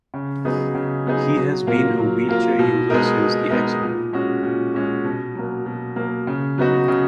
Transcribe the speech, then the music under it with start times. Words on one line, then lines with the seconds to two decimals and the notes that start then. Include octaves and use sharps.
He has been a wheelchair user since the accident.
0.14 C#3
0.45 F#3 B3 D#4 G#4
0.75 C#3
1.06 F#3 B3 D#4 G#4
1.36 F#3
1.67 A#3 F4 A#4
1.97 F#3
2.28 A#3 F4 A#4
2.59 B2
2.90 G#3 B3 D#4 A#4
3.20 B2
3.51 G#3 B3 D#4 A#4
3.81 A#2
4.13 G#3 C#4 F#4
4.43 A#2
4.74 G#3 C#4 F#4
5.04 B2
5.35 F#3 A#3
5.66 B2
5.96 F#3 A#3
6.27 C#3
6.58 F#3 B3 D#4 F#4
6.88 C#3